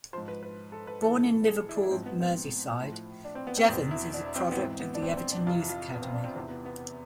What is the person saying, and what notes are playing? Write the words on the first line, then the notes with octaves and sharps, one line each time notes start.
Born in Liverpool, Merseyside, Jevons is a product of the Everton youth academy.
G#2 F3 C5
B4
B4
A4
B4
A2 E3 A4
G#4
E4
D4
E4
G#2 F3 C4
B3
C4
A2 F3
D4
C4
B3
C4
E2 B2 C4
E4
D4
C4
B3
G#2 E3 C4
B3
D4
C4
C4
D4
F2 C3 E3 F4
F4
B3
C4
D4
C4
E2 C3 E3 C4
B3
B3